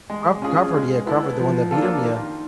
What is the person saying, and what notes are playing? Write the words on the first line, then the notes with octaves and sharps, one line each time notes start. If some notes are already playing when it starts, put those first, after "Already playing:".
Crawford Crawford, yeah, Crawford, the one that beat him? Yeah.
G#3
C#4 F4 G#4
G#3
B3 E4 A4
F3
A#3 D4 F4 A4
D#3